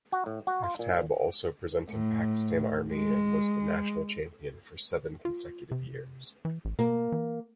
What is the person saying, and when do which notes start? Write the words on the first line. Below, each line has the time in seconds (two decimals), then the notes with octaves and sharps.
Aftab also represented Pakistan Army and was the national champion for seven consecutive years.
0.12 F#4
0.26 A2
0.47 F#4
0.64 F4
0.79 A#2
1.90 A2
2.94 G#3
5.25 F4
5.71 C3
6.45 E3
6.65 A1
6.79 B2 A#3
7.12 E3